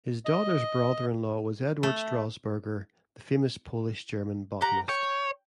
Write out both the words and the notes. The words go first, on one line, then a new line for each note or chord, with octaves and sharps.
His daughter's brother-in-law was Eduard Strasburger, the famous Polish-German botanist.
D#5
A3
G4 F#5 A#5
C#5 G5